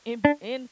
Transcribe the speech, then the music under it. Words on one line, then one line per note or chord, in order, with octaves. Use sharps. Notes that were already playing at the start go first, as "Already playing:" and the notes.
In in
D4